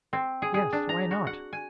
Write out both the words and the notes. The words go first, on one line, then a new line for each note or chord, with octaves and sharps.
"Yes, why not?"
C4
G#4
G#4
D4
A#5
F#4
F#5
G#5